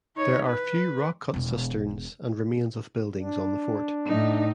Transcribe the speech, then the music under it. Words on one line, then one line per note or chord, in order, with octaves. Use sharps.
There are few rock cut cisterns and remains of buildings on the fort.
D#4 C#5
B4
E1 B2
D4
A2 D#4